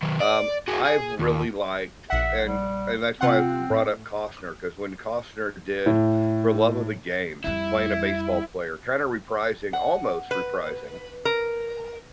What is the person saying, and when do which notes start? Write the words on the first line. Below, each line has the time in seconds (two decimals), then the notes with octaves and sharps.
um, I've really liked and and that's why I've brought up Costner, 'cause when Costner did For Love of the Game, playing a baseball player, kinda reprising- almost reprising-
0.03 D#3 F#3
0.20 D5
0.68 F#4 G#4
0.85 G#4
1.19 D#2
2.10 A#1 E5 F#5
2.43 G3
3.21 C3 C4 F4 F#5
3.71 A2
5.86 A2
7.44 F2 G3 E4
9.73 F#5
10.31 B4
11.25 A#4